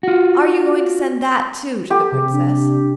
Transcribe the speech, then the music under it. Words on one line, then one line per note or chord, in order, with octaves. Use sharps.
Are you going to send that, too, to the Princess?'
F4 F#4
G4 A4
C3 G#4
D4